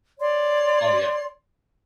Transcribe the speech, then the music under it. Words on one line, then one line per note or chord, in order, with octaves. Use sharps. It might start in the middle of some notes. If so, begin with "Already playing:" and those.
Oh yeah.
C#5 D5 C6